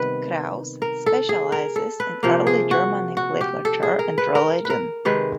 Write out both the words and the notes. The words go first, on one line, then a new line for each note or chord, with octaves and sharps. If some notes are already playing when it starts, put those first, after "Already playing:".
Krause specializes in early Germanic literature and religion.
Already playing: C3 D#3 G3 B3 B4
A#4
A4
G#4
A#4
A4
B4
C3 F3 A#3 A#4
G#4
F#4
F#4
G4
A4
G#4
A#4
B4
A#4
B4
A#4
C3 D#3 G#3 B4